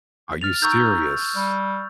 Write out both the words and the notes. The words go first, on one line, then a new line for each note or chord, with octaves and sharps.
Are you serious?
F6 A6 F7
D#4 C#6 E6 G6
G3